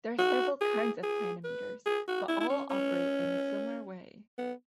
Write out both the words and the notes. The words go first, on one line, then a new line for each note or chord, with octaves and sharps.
There are several kinds of planimeters, but all operate in a similar way.
F#4
G#4
G#4
B4
G#4
F#4
E4
E4
C#4
C#4
B3